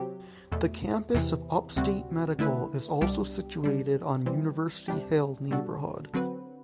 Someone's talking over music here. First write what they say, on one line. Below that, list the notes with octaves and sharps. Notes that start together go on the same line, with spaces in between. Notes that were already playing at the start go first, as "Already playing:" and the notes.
The campus of Upstate Medical is also situated on University Hill neighborhood.
Already playing: C3 F#3 C4 G4
E2 B2 A3
E2 C3 E3
D2 C3 G3 C4 F#4
D3 A3 E4 B4
C2 B2 G3 D4 G4
D3 G3 D4
E3 G3 C4
C3 G3 D4 G4
B2 G3 D4 F#4 A4
D3 F#3 C4 F#4 B4